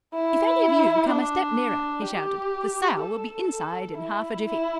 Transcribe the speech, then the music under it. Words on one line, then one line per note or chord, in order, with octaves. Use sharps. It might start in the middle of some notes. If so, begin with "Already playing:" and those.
"If any of you come a step nearer," he shouted, "the sow will be inside in half a jiffy."
E4
D4
G4
A4
E4
E4